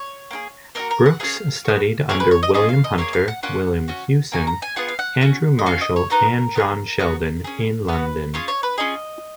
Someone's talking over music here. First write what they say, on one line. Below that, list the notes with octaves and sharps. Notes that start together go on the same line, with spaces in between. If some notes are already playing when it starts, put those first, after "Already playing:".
Brookes studied under William Hunter, William Hewson, Andrew Marshall, and John Sheldon, in London.
Already playing: C#5
A#3 F4 G#4
A#3 D#4 F#4 A#4
A#4
F#5
C#4 G#4 F5
B3 F#4
A#3 C#4 G#4 C#5
B4
C#5
D#5
C#4 F4 G#4 D#5
F5
D#5
A#3 F4 G#4 C#5
F5
F#5
A#3 C#4 F4 F#5
C#4 F#4
A#3 D#4 F#4 G#5
A#5
G#5
B3 F4 G#4 F#5
F5
F#5
C#4 F#4
D#5
C#4 F#4 F5
D#5
C#5
B3 D#4 F#4 A#4
B3 F4 G#4
B3 F#4
C#4 G#4
B3 F#4 B4
C#4 F4 G#4 C#5
C#5
B4
C#4 F4 G#4 D#5